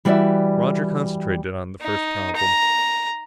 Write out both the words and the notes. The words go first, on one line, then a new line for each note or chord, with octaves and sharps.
Roger concentrated on the first problem.
E3 G3 F#4 C#5 D5 E5
D#4
A#5